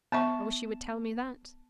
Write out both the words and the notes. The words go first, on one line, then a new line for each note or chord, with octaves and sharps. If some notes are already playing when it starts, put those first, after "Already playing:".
"I wish you would tell me that."
B3 E5 A5 C#6